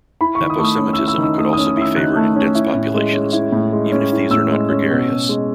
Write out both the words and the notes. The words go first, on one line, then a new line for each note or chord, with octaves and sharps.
Aposematism could also be favoured in dense populations even if these are not gregarious.
E4 B5
D#3 C#6
D#6
A3 C#6
D#6
C#4
E6
E4
E6
D#3
E6
A3 D#6
C#4 D#6
D#6
E4 E6
D#3 F#6
A3
C#4
E4
A2
G#3
C#4
E4
A2
G#3
C#4
E4
A2 E6
G#3
C#4
B2
B2
G#3